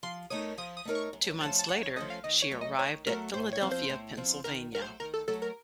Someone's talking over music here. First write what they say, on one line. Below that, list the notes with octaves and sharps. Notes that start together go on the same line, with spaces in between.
Two months later, she arrived at Philadelphia, Pennsylvania.
F3 C6
A3 D#4 A#4 C#5 D#6
F3 D#6
D#6
A3 D#4 A#4 C#5
C#6
F#2
F3 A3 C#4 A4 A5
A5
F#2 F#5
C#5
F3 A3 C#4 A4 D#5
F5
D#3 D#5
C#5
F#3 A3
D#5
D#3 C#5
F#3 A3 A#4
A2 C5
C#5
F3 C4
C5
A2
F3 C4
D#3 A#4
F#3 A3 A#4
C5
D#3 A#4
A4
F#3 A3 A4
A#4